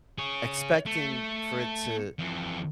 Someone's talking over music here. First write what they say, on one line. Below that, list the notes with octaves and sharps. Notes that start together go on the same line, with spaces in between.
expecting for it to
G#4 C#5
A3
F2 E3